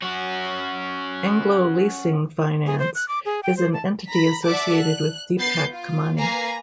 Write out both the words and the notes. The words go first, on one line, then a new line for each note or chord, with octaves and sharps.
Anglo Leasing Finance is an entity associated with Deepak Kamani.
C#4 F#4
G#4
C5
F#6
D6
G#4
G5
C5
A5
A#5 B5 B6
D5 E5 F#5 A5 D6
F#6
B3 G6 A6 C7
F4
A#3 B4 G#5 A#5 C7